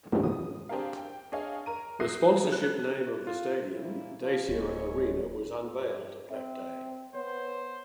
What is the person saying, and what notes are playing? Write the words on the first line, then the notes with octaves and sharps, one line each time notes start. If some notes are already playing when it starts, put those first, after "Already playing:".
The sponsorship name of the stadium, Dacia Arena, was unveiled that day.
D#6
C4 D4 G4 G#4 A#4 F5
G5
D4 G#4 C#5 D#5 F5
A#4 A#5 D#7
E5 D#6 F#6 G6 A#6 C7
F#6
F4
A#2 E4
F3
D1 G#3 A#3 C#5
G2
C4 E5
B3 C5 C#5